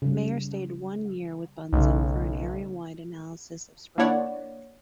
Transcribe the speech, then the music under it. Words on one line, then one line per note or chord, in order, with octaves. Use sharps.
Meyer stayed one year with Bunsen for an area wide analysis of spring water.
C#3 G3
B1 C#3 A3 D#4
A#3 D4 E4 C#5 D5 F#5